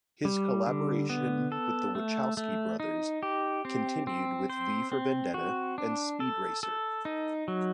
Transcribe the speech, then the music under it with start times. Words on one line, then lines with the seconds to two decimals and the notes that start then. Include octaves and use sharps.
His collaboration with the Wachowski brothers continued with "V for Vendetta" and "Speed Racer".
0.25 G3
0.66 D3
1.10 B3
1.52 A4
1.95 A3
2.37 A3
2.80 D#4
3.23 G4
3.65 C4
4.07 C4
4.50 C5
4.92 C4
5.34 F#4
5.78 D4
6.20 A4
6.63 A4
7.05 D#4
7.48 F#3